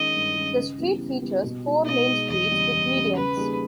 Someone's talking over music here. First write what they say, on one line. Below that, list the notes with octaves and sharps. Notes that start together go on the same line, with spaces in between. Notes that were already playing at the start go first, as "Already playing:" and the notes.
The street features four-lane streets with medians.
Already playing: D#3 G#3 C#4 D#5
G2
D#3 G#3 C#4
C#3
E3 G3 B3 G4
C#3
E3 G3 B3 G4
B2
G#3 D#4
B2 D#5
G#3 D#4
E2 D#5
C#3 G3 C#4
E2
C#3 G3 C#4
C#3 B4
G3 A#3 D#4 G#4